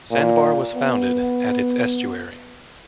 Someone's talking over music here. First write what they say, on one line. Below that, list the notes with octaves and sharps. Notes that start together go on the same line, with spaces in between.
Sandbar was founded at its estuary.
A#2
B3